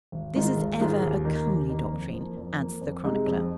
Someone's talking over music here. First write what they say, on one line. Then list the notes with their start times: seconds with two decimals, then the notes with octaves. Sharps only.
This is ever a comely doctrine, adds the chronicler.
0.12 G#1
0.34 G#2 D#3 G#3 F4
0.57 G#1
0.80 G#2 D#3 G#3 F4
1.02 D#2
1.24 D#3 A#3
1.47 D#2
1.69 D#3 A#3
1.91 F2
2.14 F3 A#3
2.37 F2
2.59 F3 A#3
2.81 F2
3.04 C3 G#3 D#4 G#4
3.26 F2